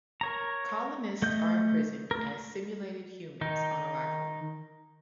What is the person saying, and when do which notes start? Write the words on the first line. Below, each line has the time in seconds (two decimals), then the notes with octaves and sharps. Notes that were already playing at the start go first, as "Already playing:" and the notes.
Colonists are imprisoned as "simulated humans" on arrival.
0.21 A#4 C#5 A#5
1.22 A3 D#5 G6
2.11 A3 A#4
3.41 D#3 D#4